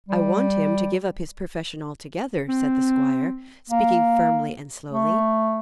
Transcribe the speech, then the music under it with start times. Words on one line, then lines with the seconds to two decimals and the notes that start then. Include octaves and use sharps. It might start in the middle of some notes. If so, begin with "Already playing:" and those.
"I want him to give up his profession altogether," said the squire, speaking firmly and slowly.
0.09 G3
2.49 C4
3.70 A#3
4.90 A3